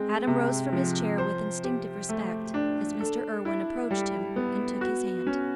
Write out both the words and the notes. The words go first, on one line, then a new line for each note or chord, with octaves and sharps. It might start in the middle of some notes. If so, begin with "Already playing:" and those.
Adam rose from his chair with instinctive respect, as Mr. Irwine approached him and took his hand.
Already playing: G#3 C4
C3
F3
C5
G4
A3
D4
A4
E4
G3
B3
F#4
C#4